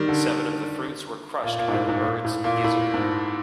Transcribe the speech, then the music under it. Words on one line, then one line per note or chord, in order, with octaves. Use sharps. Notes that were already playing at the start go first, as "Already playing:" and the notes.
Seven of the fruits were crushed by the bird's gizzard.
Already playing: D#3 G3
D3
A#2
A#2
G#2
A2
G#2
A#2
A2
A#2
A2
G#2